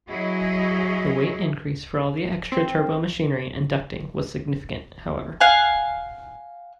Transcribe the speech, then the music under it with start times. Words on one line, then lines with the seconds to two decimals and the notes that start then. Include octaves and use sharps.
The weight increase for all the extra turbomachinery and ducting was significant, however.
0.10 F#3 E4 F#4 G#4 C#5 D#5
2.52 C4
5.41 F5 F#5 G#5